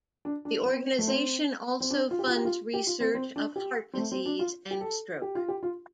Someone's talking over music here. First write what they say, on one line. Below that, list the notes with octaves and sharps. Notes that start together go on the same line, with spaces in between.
The organization also funds research of heart disease and stroke.
D4
D4
C4
A3
C4
C4
D4
F4
G4
F4
G4
F4
G4
F4
C4
C4
D4
G4
C4
A3
C4
D4
F4
G4
A4
G4
F4
G4
F4